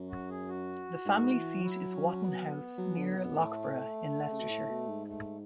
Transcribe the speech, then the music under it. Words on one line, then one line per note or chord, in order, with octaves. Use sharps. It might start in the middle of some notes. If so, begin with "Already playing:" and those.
The family seat is Whatton House near Loughborough in Leicestershire.
Already playing: F#2
F#4
G#4
F#4
G#2
E3
F#3 E4
C#4
B3
F#3
D3
B2
A2 A3
C#3
B2
A2
B2
G#2
A3